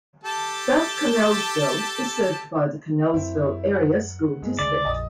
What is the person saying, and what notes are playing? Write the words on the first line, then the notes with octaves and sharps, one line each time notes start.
South Connellsville is served by the Connellsville Area School District.
G4 A4 A5
F#2 C4 E4
F#5
G2 G#3
D2 C#3 D5
A#1 F2 D#5 D#6